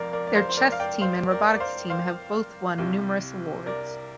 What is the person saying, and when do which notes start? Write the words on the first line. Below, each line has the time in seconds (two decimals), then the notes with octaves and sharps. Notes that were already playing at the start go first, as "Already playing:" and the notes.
Their chess team and robotics team have both won numerous awards.
Already playing: F1 F2 F3 A#4 D5 F5
0.13 A#4 D5
0.27 D5
0.35 C5 F5
0.49 C5
0.57 A#4 D5
0.72 F5
0.80 D5 G5
1.01 C5 F5
1.31 A#4 D5
1.54 D5
1.60 C5 F5
1.90 C5 F5
2.78 C2 C3 G3
3.66 A#4 D5